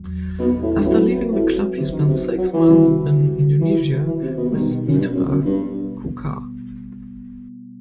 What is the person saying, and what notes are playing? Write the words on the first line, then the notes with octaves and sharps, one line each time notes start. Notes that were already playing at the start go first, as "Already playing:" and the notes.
After leaving the club he spent six months in Indonesia with Mitra Kukar.
Already playing: E2 F#3
B2
A2
G2
A2 F#3 C4 F#4 B4
A2
C3
D#3
C3
F#3
E3
C3 D#3 G3 C4 F#4
E3
E3
C3
B2
B2 D#3 G3 B3
F#2
G2
F#2
F#2
G2